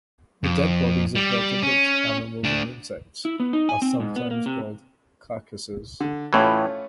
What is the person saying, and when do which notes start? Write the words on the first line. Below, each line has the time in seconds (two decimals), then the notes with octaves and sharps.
The dead bodies of vertebrate animals and insects are sometimes called "carcasses".
0.44 F2
1.15 G3
1.63 C#4
2.44 A3 D4
3.25 E4
3.40 B3
3.53 D#4
3.69 G#5
3.82 C4
4.00 G#2
4.16 B3
4.31 A#3
4.46 C3
6.00 D3
6.33 A2 E3 A3 C#4 F4